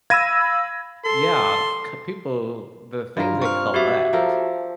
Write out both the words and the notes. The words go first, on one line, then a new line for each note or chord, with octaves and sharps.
Yeah, c people, the things they collect
F5 B5 E6 G#6 A#6 D#7
A4 C6
G2 F4 A#4
C4 C#6 F6
F#4 G4 B4 E5
F3 A4 A#4